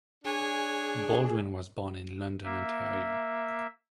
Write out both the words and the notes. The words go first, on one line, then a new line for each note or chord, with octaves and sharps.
Baldwin was born in London, Ontario.
D4 G#4 C#5 G#5
A#3 E5